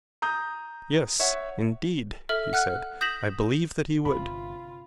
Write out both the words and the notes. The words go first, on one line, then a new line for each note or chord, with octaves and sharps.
Yes, indeed, he said; I believe that he would.
A#5 D#6 G6
C#5 E5 F#5
A4 E5 F6
F#5 F6 F#6
D#6 G6 A#6 B6 E7 F#7
G1 C3 F4 B5